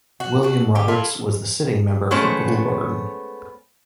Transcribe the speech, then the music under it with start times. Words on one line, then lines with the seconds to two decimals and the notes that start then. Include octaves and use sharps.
William Roberts was the sitting member for Goulburn.
0.20 F#4
0.43 D4 F#4
0.75 D3 G4
0.88 E4 F4 A4
2.11 G#3 A3 B3 C#4 C5 C#5